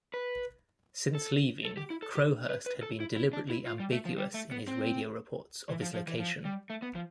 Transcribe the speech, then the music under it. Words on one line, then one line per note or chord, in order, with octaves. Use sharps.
Since leaving, Crowhurst had been deliberately ambiguous in his radio reports of his location.
B4
A4
A4
G4
E4
A4
G4
B4
B4
A4
E4
E4
D4
E4
F4
G3
A3
F3
G3
A3
B3
C4
E3
F3
F3
E3
F3
G3
A3
B3
F3